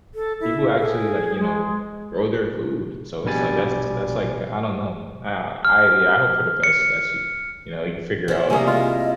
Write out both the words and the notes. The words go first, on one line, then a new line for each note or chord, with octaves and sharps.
people actually, like, you know, grow their food, so it's, like, that's that's, like I don't know. I I yeah, hope for the best that she you know, you figure out
A4
E4
F5
G#4 A4
G#3
A#1 B2 G3 G#5 A6
F6
C#7
F3 C#4
C3 G3 A#3 E4 G#4 G#5
F4 D#5